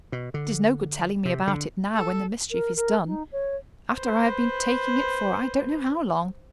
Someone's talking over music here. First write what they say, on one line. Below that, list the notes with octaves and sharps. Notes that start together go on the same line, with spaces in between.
It is no good telling me about it now, when the mischief is done,--after I have been taking it for I don't know how long.
B2
D3
C3
D3
A4
A#4
A#4
D#4
C#5
B4 C5